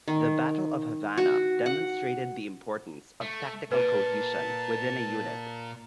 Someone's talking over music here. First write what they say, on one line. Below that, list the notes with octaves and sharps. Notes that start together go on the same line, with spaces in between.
The Battle of Havana demonstrated the importance of tactical cohesion within a unit.
D#3
F#4
F#5
A3
A#2 B4 A5